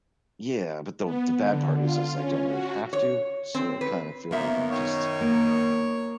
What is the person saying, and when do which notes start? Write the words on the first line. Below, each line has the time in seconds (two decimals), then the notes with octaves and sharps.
Yeah, but the the bad part is is I don't really have to, so I kinda feel like I'm just
1.04 B3
1.36 D3
1.81 F4
2.14 C#4
2.48 F#4
2.93 C#5
3.55 C4
3.81 B4
4.31 F#2 D#3 A#3 B3 E5
4.72 F#2 B2 D#3 C#5
5.21 A#3